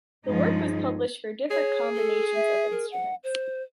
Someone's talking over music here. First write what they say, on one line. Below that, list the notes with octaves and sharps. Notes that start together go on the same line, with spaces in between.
The work was published for different combinations of instruments.
G2 F3 G#3 C#4 D#4
G#4 C#5
A4
E5
A#4
F#5
C5